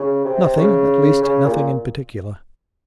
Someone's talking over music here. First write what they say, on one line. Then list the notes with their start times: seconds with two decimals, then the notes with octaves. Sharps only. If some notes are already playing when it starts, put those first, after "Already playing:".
'Nothing, at least nothing in particular.
Already playing: C#3
0.25 C3
0.57 C#3
1.22 C#3
1.45 A#2